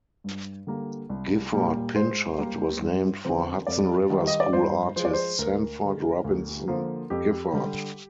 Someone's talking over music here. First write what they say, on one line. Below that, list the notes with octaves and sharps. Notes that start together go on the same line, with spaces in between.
Gifford Pinchot was named for Hudson River School artist Sanford Robinson Gifford.
G2
D3 G3 A#3
C2
A#2 G3 A#3
G#2 C5
G3 A#3
G2
D3 F3 C4
F2 D5
D#3 G3
D#5
D5
G2 C5
F3 G#3 C5
D5
C5
D2 A#4
D3 G#3
D2
D3 F3 A#3
F2 G4
D3 G3